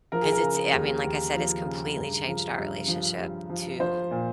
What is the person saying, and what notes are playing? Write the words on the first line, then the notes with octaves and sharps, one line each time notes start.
'Cause it's I mean, like I said, it's completely changed our relationship, too.
F3 A#4
G#4
A#4
C#3
D#2
D#2
F3
C#3
G2
F3
G2
F3
G2
F3
F3 C5
A#2